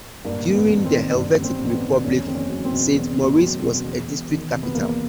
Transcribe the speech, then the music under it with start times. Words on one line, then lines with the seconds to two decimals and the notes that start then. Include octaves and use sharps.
During the Helvetic Republic Saint-Maurice was a District capital.
0.25 G2 A#3
0.47 A1
0.55 B3
0.70 A1
0.85 C4
0.93 D#3
1.15 G2
1.38 A1
1.44 C4
1.60 A1
1.70 C4
1.75 B3
1.83 D#3
2.05 E2 C#4
2.27 F#1 C4
2.35 C#4
2.50 F#3
2.65 C4
2.72 B2
2.94 E2
3.17 F#1
3.40 F#3
3.63 B2
3.84 E2
4.07 E1
4.30 D#3
4.52 C3
4.63 B3
4.75 E2 A#3